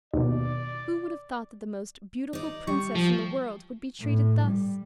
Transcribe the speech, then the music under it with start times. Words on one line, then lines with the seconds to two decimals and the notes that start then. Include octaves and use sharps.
Who would have thought that the most beautiful Princess in the world would be treated thus?
0.14 D#2 B2 D5
2.33 D#4 D5
2.67 G3 C#6
2.95 F3
4.00 A2
4.43 G3